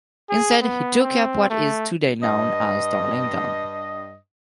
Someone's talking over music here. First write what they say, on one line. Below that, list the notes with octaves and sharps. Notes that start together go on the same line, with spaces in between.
Instead he took up what is today known as Darlington.
G#4
B3
C4
A3
G2 D#5